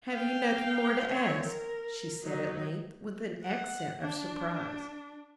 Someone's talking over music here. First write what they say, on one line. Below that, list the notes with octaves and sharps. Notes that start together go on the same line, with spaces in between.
"Have you nothing more to ask?" she said at length, with an accent of surprise.
F5 G5
C4 C#5
A#4
F#3 D#4
F#5
D4